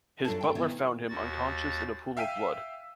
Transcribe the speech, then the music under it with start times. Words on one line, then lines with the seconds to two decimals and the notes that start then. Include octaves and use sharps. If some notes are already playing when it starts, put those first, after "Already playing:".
His butler found him unconscious in a pool of blood.
0.25 F#2 D4 F4 A4 B4 A5
0.41 A3 G5
0.55 C3 D#3 E3 B3 E4
1.08 D#2 F#4 A6
2.17 E5 F5 G5 E6 B6 D#7